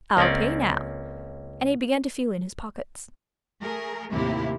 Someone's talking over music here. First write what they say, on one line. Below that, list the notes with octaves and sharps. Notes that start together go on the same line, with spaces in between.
"I'll pay now," and he began to feel in his pockets....
C#2 A#3 C4 C#4 D5
A3 G#4 A#4
D#2 A2 C3 A#3 E4 G4